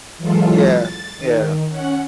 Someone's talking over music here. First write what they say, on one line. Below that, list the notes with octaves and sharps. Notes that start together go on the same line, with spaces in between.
Yeah. Yeah.
E3 F#3 G#3 F4 A4
A6
D#3
C#4 F#5